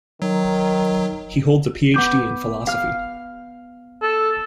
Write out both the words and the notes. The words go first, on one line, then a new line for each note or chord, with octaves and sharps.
He holds a PhD in philosophy.
D#3 F#3
B3 D6 G6
F5 F6
A4